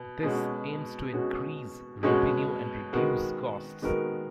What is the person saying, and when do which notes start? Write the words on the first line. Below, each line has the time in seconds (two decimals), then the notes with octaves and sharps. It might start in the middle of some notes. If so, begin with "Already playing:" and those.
This aims to increase revenue and reduce costs.
Already playing: B2
0.23 B2 G#3 C#4 F#4
1.12 B2 G#3 C#4 F#4
2.03 B2 G#3 C#4 F#4
2.92 D#3 G#3 B3 F#4 A#4
3.82 D#3 G#3 B3 F#4 A#4